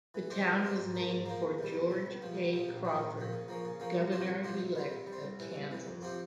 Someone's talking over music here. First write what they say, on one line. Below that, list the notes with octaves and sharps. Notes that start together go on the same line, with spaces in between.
The town was named for George A. Crawford, governor-elect of Kansas.
E3
G#3 C4 G4
E3
G#3 C4 G4
G#2
F3 A#3
G#2
F3 A#3
E2
C3 G3
E2
C3 G3
C#2
C3 F3
C#2
C3 F3
A#1
A#2 F3
A#1
A#2 F3
C#3
F3 A#3 C#4
C#3
F3 A#3 C#4
C2
C3 F3 C4 G4
C2
C3 F3 C4 G4
C3
G3 C4
C3
G3
C4
C2
C3 E3
C2
C3 E3
F2
C3 F3 C4 G4